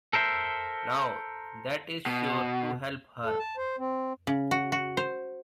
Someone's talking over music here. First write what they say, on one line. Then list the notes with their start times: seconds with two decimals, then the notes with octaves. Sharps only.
Now that is sure to help her!
0.13 A4 A#4 C5 E5
2.06 B2
3.25 A4
3.39 A5
3.57 C5
3.78 C4
4.27 C#3
4.51 F#4
4.72 F#4
4.97 C5